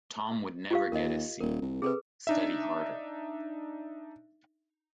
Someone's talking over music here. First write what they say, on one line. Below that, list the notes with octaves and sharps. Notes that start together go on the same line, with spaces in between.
Tom would never get a C, study harder.
F4 G4 F5
D#2 A#4 D#5
D#1 A#4
C2
C3 G#4 A4 B4
D4 D#4 E5